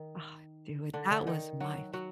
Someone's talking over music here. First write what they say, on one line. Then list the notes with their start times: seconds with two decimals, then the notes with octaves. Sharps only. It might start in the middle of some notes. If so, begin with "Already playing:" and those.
Ah, dude that was my
Already playing: D#3 D#4
0.93 D3 D4
1.11 D3 D4
1.27 D#3 D#4
1.60 F#3 F#4
1.93 F#3 F#4